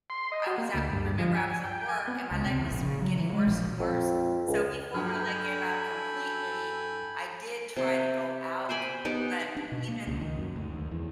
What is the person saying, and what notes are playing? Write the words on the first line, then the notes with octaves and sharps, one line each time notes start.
I was at remember I was at work and my leg was w getting worse and worse. So before my leg gave out completely, I did try to go out. But even
C6
D#5
F#4
A#3
D2
G2
F3
G#5
G5
G#5
B3
C#2
C3
E2
A#1
C#3
F#3
E3
G#3
A#1
F2
C#2
G2 F#3 A4 G5 G#5 B5 F6
C3 C5
C5 G5 G#5 B5
B3 D#4 G4
D4
B2
A#3
C#2
D#3
F#2
D2
D#2
E2